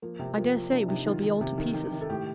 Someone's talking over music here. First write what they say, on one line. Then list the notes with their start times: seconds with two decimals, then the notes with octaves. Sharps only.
I dare say, we shall be all to pieces.
0.02 F3 A#3
0.19 C3 C4
0.37 F3 A#3
0.55 F3
0.71 C3 D4
0.88 C3 D#4
1.06 D#3 F4
1.23 D#3
1.41 C3
1.58 D#3
1.74 D#3
1.93 D#3
2.01 A4
2.09 A2 G4